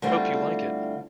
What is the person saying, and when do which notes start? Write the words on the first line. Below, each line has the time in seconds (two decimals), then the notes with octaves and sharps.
Hope you like it.
0.02 D3 G3 A3 C4 E4 F4